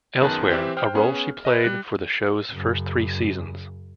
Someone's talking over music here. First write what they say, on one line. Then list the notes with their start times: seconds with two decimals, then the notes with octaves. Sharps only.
Elsewhere, a role she played for the show's first three seasons.
0.21 F#2 D#3 B3 G#4 A5 F#6
0.50 E3 C4 G4 E5
0.77 C5 G5 F6
0.95 B3 C#4 G#4
1.45 A#4 B4 D#5
1.64 G3 F#6
2.51 F#2 C#3